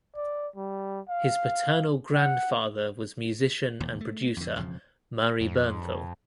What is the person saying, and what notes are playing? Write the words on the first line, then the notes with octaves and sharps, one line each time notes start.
His paternal grandfather was musician and producer Murray Bernthal.
D5
G3
F5
F#5
E1 D#2 A#2
A3
F2 D3
E1 F2 C#3 F3
F2